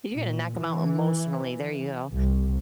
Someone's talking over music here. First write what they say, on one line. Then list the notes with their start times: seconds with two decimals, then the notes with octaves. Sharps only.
You're gonna knock them out emotionally. There you go.
0.14 A#2
0.56 E3
2.12 C2